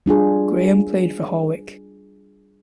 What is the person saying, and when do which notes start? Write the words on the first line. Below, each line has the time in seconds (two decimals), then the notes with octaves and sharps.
Graham played for Hawick.
0.06 G3 D4 F4 G#4